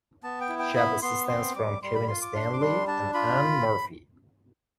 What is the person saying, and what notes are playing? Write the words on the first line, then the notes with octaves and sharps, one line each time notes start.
She had assistance from Kevin Standlee and Anne Murphy.
B3 A5
G5
E4
G5
B3 B5
B3 C6
C4 C6
G3 D6
G3 C6
B5
F4 C6
D6
D4 C6
D6
G3 C6
D4 A5
F4 B5